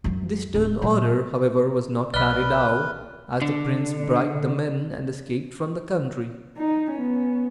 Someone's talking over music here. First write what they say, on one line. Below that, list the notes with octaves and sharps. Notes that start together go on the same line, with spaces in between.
This stern order, however, was not carried out, as the prince bribed the men and escaped from the country.
F#2 F#3
D1
A#2 F#3
B1 B4 D5 D#5 B5 F6 F#6 G7
D3 D4
D#4
B3 C#4